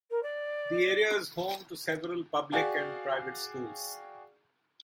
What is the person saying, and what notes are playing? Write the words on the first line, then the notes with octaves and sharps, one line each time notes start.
The area is home to several public and private schools.
A#4
D5
F#4 G#4 D5 F5 G5